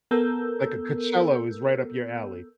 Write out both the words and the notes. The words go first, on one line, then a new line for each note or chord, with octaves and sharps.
Like a Coachella was right up your alley.
B3 A4 A#4 E6 G6